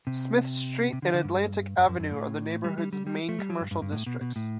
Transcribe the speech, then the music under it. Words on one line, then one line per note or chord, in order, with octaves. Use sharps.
Smith Street and Atlantic Avenue are the neighborhood's main commercial districts.
C3
C3
D3
D3
G2
F#2
F#2
F#2
A2
G3
G3
G3
G3
A3
G3
F#3
G2
G2
G2
A2
B2
B2
A2